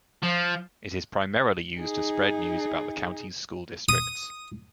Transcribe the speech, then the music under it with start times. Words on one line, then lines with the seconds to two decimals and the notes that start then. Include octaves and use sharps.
It is primarily used to spread news about the county's school districts.
0.23 F3
1.79 D#4 G#4
3.89 D#6